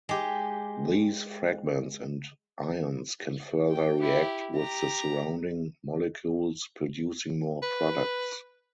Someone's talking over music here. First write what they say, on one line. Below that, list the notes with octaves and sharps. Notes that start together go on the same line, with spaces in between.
These fragments and ions can further react with the surrounding molecules producing more products.
G#3 G4
G5
E4 G4
G4 A#5
B4